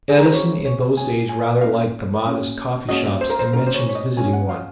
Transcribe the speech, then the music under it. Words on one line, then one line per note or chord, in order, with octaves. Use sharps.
Edison in those days rather liked the modest coffee-shops, and mentions visiting one.
G#4
A#4
C5
A#3 C#4 F#4 C#5
C#5
A#3 C#4 F#4 G#5
G#5
A#3 C#4 F#4 F5
A#3 C#4 F#4
A#3 C#4 F#4 D#5
C5
A#4
C5
A#3 C#4 F#4 A#4
C5
C#5
C#5
D#5
A#3 C#4 F#4 G#5
F#5
F5